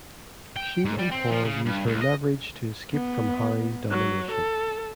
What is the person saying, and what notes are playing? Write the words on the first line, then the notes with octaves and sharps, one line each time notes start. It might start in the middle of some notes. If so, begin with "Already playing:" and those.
She and Paul use her leverage to escape from Harry's domination.
G5
G#2
G3
C4
F3
C#3
G2
C#2
D#5
B3
F#3
A4